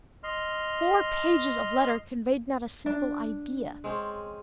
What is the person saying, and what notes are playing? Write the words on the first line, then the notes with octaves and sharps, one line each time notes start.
Four pages of letter conveyed not a single idea.
D#5 C6 F6
D4
G#3 C4 C#4